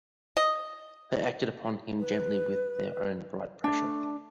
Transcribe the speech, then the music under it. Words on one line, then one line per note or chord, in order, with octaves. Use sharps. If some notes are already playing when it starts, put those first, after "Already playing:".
They acted upon him gently with their own bright pressure.
D#5
B4
A3 D4